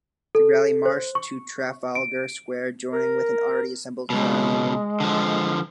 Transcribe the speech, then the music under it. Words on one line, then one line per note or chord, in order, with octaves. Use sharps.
The rally marched to Trafalgar Square, joining with an already assembled crowd.
A4
C5
C#6
D7
A#4
C#2 B2 G#3
D3 F3